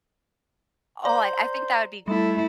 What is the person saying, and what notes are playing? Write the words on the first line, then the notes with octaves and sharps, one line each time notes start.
Oh, I I think that would be
C5 D5 A#5
G3 A3 E4 A4